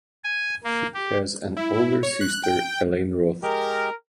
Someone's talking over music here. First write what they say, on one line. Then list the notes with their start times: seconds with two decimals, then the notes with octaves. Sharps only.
She has an older sister, Elaine Roth.
0.24 G#5
0.64 A#3
0.94 G4
1.57 E4
2.03 C#5
2.21 F#6
2.43 G5
3.43 G#3 G4 A#4